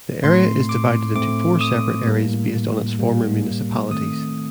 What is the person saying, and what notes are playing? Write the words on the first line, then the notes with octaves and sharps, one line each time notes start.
The area is divided into four separate areas based on its former municipalities.
A2 A3 C4 C6
D6
A2 A3 C4 D6
D#6
A2 G3 A#3
A2 G3 A#3
D#3 A3 C4 D#6